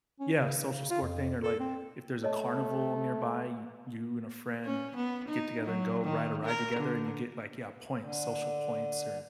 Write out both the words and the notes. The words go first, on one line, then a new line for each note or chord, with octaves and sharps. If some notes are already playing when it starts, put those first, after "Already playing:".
Yeah, social score thing or, like, if there's a carnival nearby, you you and a friend n get together and go ride a ride together and you get, like, yeah, points, social points or
C#4
C#3
C#3
F4
F2
A4
C4
A3 C#5 D#5 A5
C#4
B3
D#4
F#3
D#3
A#4
D3
D3